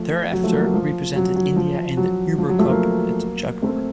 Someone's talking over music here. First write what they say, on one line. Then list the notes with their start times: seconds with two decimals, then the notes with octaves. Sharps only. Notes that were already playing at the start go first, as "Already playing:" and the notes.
Thereafter, represented India in the Uber Cup at Jaipur.
Already playing: F3 A3
0.33 F#3
0.43 F3 A3
0.53 F#3 A#3
0.64 F#3
0.74 F3
1.16 F#3
1.36 F#3
1.56 F3
1.97 F#3
2.38 F3
2.49 F#3
2.59 F3 A3
2.69 F#3 A#3
3.62 A3 C4